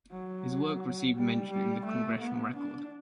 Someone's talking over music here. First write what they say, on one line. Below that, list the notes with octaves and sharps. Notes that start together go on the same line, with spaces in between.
His work received mention in the "Congressional Record".
F#3
G3
G3
A3
B3
D4